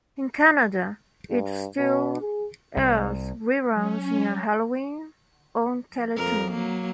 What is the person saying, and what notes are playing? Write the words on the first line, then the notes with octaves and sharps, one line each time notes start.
In Canada, it still airs re-runs near Halloween on Teletoon.
G2
B2
G#4
C2
F#3 C#4
F2 A#4
F#3 A#3